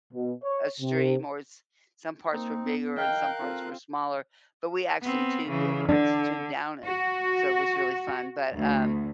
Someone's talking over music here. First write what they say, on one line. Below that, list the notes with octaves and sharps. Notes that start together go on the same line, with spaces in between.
a stream or it's some parts were bigger and some parts were smaller, but we actually tubed it once, tubed down it, so it was really fun, but, um,
B2
C#5
C3
A#3 C4 D#4
B3
A#4 D#5 F5 G5 F#6
C4 F4 A4
B3 C4
C#3 E3
D3 D4
F#4
D2